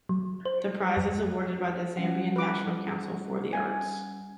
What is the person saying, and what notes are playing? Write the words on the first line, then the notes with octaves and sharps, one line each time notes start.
The prize is awarded by the Zambian National Council for the Arts.
F#3
C5
F2
G3 C#4 F#5
B4 D6
G#5